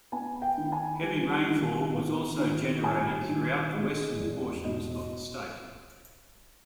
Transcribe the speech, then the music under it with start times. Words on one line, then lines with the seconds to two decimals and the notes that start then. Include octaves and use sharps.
Heavy rainfall was also generated throughout western portions of the state.
0.12 B3 G#5
0.42 G5
0.57 D#3
0.72 G#5
1.02 G3
1.48 D#3
1.93 B3
2.38 D#3
2.83 G3 G#5
3.29 D#3
3.74 G#3
4.19 E2
4.64 B2 D#5